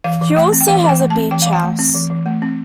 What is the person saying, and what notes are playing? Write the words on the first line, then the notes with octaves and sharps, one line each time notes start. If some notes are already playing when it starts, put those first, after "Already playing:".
She also has a beach house.
E3 F5
E3
A3 G5
C4
G5
E3 F5
E3
G5
A3
A5
C4
E3 G5
E3 F5
G5
A3
C4
E3
E3
A3
C4